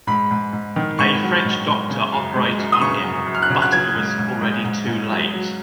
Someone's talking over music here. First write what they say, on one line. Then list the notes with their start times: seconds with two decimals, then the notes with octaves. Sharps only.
A French doctor operated on him, but it was already too late.
0.07 G#2 B5
0.31 G#2
0.53 G#2
0.76 D#3
0.98 G#2 C#6
1.22 F#3
1.45 G#2
1.67 G#2
1.90 C#3
2.13 F#2
2.36 G#3
2.59 F#2
2.72 D#6
2.81 C#3 C#6
3.04 F#2
3.27 F#2
3.35 F6
3.42 F#6
3.50 C#3
3.62 F#6
3.72 F#3 G#6
3.95 G#2
4.18 G#2
4.41 G#2
4.65 G#2
4.87 G#2
5.10 F#3
5.33 F#3